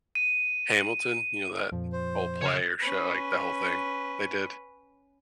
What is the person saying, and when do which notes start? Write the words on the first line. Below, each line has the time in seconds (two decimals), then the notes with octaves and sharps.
Hamilton, you know that whole play or show like the whole thing they did?
0.15 D#7
1.72 F2 A#2 F3
1.93 C5
2.42 C#3 C#5 F5
2.81 C#4 B4